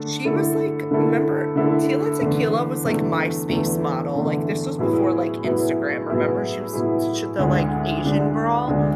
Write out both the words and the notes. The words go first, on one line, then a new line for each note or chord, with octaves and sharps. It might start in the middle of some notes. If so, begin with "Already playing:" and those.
she was, like 'member Tila Tequila was, like, MySpace model, like, this was before, like, Instagram, remember? She was ch the, like, Asian girl,
Already playing: D3 A3 A4
D3 A3 E4 A4
D3 A3 E4 A4
D3 A3 E4 A4
E2 D3 A3
E2 D3 A3
E2 D3 A3
E2 D3 A3
A2 F#3 B3 E4 G#4
A2 F#3 B3 E4 G#4
A2 F#3 B3 E4 G#4
A2 F#3 B3 E4 G#4
D2 D3 G#3 D4
D2 D3 G#3 D4
D2 D3 G#3 D4